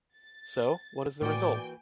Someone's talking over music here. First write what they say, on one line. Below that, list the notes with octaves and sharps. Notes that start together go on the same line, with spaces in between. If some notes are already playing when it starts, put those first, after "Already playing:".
So, what is the result?
A6
A2 E3 A#3 F#4 D5 G5 G#5